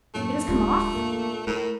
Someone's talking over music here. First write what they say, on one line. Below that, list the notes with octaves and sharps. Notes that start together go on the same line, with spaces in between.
"It has come off?"
F#2 A2 A3 A#3
D1 G#2 D4 F4 G4
E2 A2 A#3
A2 A3 E4 A#4